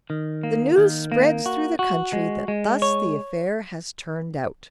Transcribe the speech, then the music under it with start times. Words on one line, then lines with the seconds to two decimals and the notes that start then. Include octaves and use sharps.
The news spreads through the country that thus the affair has turned out.
0.10 D#3
0.43 A#3
0.78 D#3
1.12 A#3
1.46 F#4
1.79 F#4
2.13 G#3
2.48 G#3
2.82 C#5